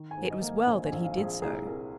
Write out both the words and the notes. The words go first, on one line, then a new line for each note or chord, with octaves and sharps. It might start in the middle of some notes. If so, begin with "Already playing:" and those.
It was well that he did so.
Already playing: D#3
G#5
G#2
D#5
A#3
A#1 G#5
G#5
A#1
F5
A#1
G#4
C2 G#4
G#4
C2 A#4